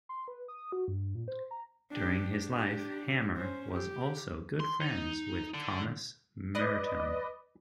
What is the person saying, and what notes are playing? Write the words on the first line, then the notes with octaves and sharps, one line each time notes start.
During his life, Hammer was also good friends with Thomas Merton.
C6
B4
D#6
F#4
G2
A#2
C5
A#5
D4 G4
D4 G4
C#4 C5
G4
C6
D#4
D3
B4 D5 D#5